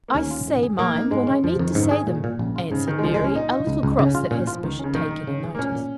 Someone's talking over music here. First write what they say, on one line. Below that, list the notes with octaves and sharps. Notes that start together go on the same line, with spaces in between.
"I say mine when I need to say them," answered Mary, a little cross that Hesper should take any notice.
A#3
D#2 C#4
F4
G#2
G#4
A#1 A#3
D#4
G#2 G#3
C#4
F2 F3
F2 D#3
G#2 C#3
D#3
G#4
A#2
A#2
A#1 C#3
F4
G#2 C#3
D#3 G#4
G#3
C#2 F3
G#3
C#2 C#4
A#2 D#4
F4
C#2
C#2
D#4
C#3 C#4
F4
A#2 C#4
F3 F4
C#2 D#3
C#3 C#4
A#1 D#3
D#4
C#3
G#4
A#3
A#2 C#4
A#2